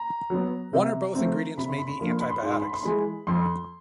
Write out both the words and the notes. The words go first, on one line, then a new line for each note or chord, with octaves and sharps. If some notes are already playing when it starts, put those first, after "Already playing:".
One or both ingredients may be antibiotics.
Already playing: A#5
F#3 B3
C3
F3 A3 C4
C3 B5
C6
B5
C6
F3 A#3 D4 B5
C6
B5
C6
G#2 B5
C6
B5
C6
E3 G#3 B5
F2 C6